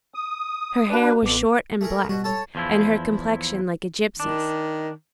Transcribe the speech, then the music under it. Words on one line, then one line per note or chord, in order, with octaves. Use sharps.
Her hair was short and black, and her complexion like a gypsy's.
D#6
D4 F#4 B4 D5
A1 F2 B3 D6
A3 G#4 A#4
B2 G3 F#4
A4 C#5 A5
E2 F3 E4
D#3 D4